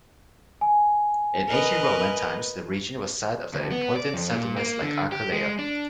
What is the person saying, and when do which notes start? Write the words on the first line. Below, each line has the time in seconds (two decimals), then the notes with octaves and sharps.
In Ancient Roman times the region was the site of important settlements like Aquileia.
0.61 G#5
1.47 A#4 B4 D#5
3.53 D2
3.72 B3
3.95 D5
4.14 F2
4.31 A#2
4.57 A#3
4.82 D3
5.12 G4
5.32 G#3
5.59 D4